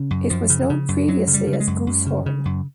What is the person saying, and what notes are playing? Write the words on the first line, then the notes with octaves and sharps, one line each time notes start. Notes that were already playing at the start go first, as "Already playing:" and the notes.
It was known previously as Goosehorn.
Already playing: C#3
F#2
F#2 F3
C#3
C#3
F#2
F#2 F#3
C#3
G3
C#3
G3
G#3
F#2
F#2
C#3
C#3
F#2